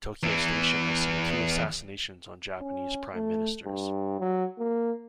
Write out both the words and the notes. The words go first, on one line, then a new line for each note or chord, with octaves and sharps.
Tokyo station has seen two assassinations on Japanese prime ministers.
E2 E3
C#4
A3
G2
F#3
A#3